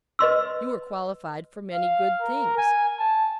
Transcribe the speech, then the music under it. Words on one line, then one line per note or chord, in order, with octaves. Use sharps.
You are qualified for many good things.
B4 D#5 C6 E6
F5
A#4
G#5
A5